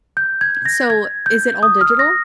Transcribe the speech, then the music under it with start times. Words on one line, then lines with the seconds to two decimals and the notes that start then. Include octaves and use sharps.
Eh, so, is it all digital?
0.17 G6
0.41 G#6
0.66 A#6
0.90 G#6
1.26 G6
1.63 D#6
1.81 F6
1.99 A#6